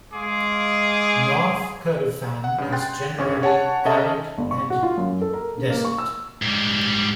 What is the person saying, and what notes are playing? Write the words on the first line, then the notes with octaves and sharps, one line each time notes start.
North Kurdufan is generally arid and desert.
G#3 G#4 F5 C6 D6
F#5
G2 C#3
G5 C6 F#6 A6
G1 C#4 C#6 G#6
C#5 F#5 G#5 A5 C#6
C#4 G#4 A4 D#5 E5 A5
G1
C#6
F#4
F4
F#2
A4
A#4
C#3
A#3
C#6
E6
G#2 G3